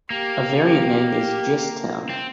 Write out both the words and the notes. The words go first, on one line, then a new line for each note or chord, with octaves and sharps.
A variant name is "Gist Town".
A#3 G4
G4
G4
C4